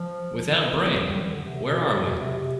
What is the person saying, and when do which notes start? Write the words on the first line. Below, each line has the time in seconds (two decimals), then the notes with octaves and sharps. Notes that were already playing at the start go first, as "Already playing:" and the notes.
Without brain, where are we?
Already playing: F3
0.74 A3
0.86 B3
1.08 G3
1.21 E3
1.32 D3
1.44 C3
1.55 C3
1.67 B2
2.02 B2
2.19 C3
2.36 C3